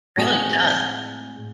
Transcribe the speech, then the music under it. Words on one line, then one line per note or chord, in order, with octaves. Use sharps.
Really does.
A2 G#3 C4 F#4 G#4